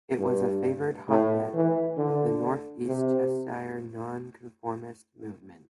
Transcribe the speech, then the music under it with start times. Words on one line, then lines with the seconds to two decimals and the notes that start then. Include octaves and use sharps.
It was a favoured hotbed of the northeast Cheshire Non-conformist movement.
0.18 G2
1.09 A2
1.53 E3
1.97 D3
2.87 C3